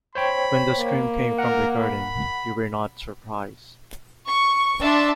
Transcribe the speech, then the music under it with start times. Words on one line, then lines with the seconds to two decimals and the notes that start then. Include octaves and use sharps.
When the scream came from the garden you were not surprised.
0.15 C5 C#5 G5 B5
0.78 A#3
1.38 A#4 F#5
1.81 B5
4.27 C#6
4.81 D4 E5 A5 C6